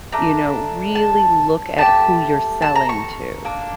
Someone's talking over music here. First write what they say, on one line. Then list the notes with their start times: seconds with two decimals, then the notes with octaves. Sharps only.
you know, really look at who you're selling to
0.12 A3 D4 A4 A#5
0.95 A5
1.78 A3 D4 G4 A5
2.62 A5
2.76 A#5
2.89 C#6
3.45 A#3 D4 A4